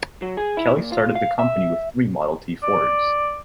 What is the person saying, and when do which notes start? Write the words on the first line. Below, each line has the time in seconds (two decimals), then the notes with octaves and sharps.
Kelley started the company with three Model T Fords.
0.22 F#3
0.37 G#4
0.57 E4
0.76 A#2
0.92 F4
1.15 F5
1.39 E5
2.63 D5